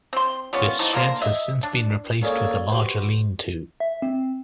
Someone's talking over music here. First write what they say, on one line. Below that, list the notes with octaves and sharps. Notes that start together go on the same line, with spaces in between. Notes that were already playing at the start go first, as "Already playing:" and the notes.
This shed has since been replaced with a larger lean-to.
C4 C6
G3 B3 C#4 F4
E3 A3 C4 D#4
D3 A#3 A#4 C5
D#5 E5
D4
A#3 C#4 G#4 A4 C#5 D5
F#4 G4 B4 C5
E5
C4